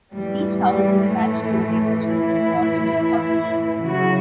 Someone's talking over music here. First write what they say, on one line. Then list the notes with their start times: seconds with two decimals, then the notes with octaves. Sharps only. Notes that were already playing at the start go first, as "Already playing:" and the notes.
Each House is attached to a major Children's or Women's hospital.
0.12 A2 E3 G3
0.58 G3
1.05 A3
1.98 E4
3.84 C#3 F#3 F#4